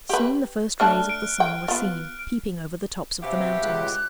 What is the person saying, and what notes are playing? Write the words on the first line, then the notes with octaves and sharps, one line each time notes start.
Soon the first rays of the sun were seen peeping over the tops of the mountains.
G4 B4
A3 D4 A5 F6 F#6
D7
G5
B3 F4
B2 C4 G4 E5 F5
C#2 F#6